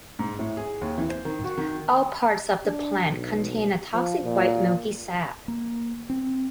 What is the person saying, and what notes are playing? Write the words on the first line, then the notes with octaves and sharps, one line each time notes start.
All parts of the plant contain a toxic white milky sap.
G#2
A2
G#4
D#2
E3
C5
D#3
F#4
D#3
D4
B1
F3
A#2
A#3
C4